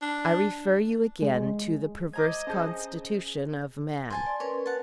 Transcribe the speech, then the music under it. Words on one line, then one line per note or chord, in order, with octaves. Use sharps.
I refer you again to the perverse constitution of man.
D4
G#3
C5 D#5 A#5 D6 G#6
C#4 G#4 C5 A5 G6
C5 G#5 A5
D5 C6
C#4 A#4 B4 C#5
F#5 A5